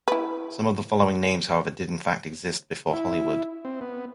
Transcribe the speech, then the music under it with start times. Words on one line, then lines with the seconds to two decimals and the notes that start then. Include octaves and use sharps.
Some of the following names, however, did in fact exist before Hollywood.
0.08 E4 B4
2.93 E4
3.65 C4
3.81 B3